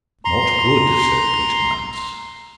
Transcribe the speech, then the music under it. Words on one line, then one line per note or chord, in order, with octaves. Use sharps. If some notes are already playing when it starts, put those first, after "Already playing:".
Not good, said these knights.
A#5 C6